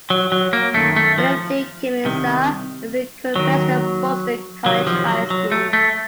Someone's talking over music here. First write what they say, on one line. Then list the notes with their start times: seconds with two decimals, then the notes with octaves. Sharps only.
William J. Kemeza is the current president of Boston College High School.
0.10 F#3
0.32 F#3
0.53 A#3
0.74 F#2 D#3 A3
0.96 A3
1.18 F3
2.05 C2 C3 D#3
3.35 D#2 D#3 F#3
4.65 C2 C3 D#3 F#3
4.87 F3
5.08 F#3
5.30 F#3
5.52 A3
5.73 A3